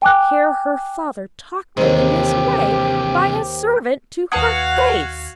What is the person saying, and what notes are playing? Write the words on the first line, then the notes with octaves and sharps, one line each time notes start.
To hear her father talked of in this way by a servant to her face!
G5 G#5 D6 F#6
D#2 G#2 C3 E3 G4
D#2 F#4 B4 F5 F#5 A5 D#6 G#6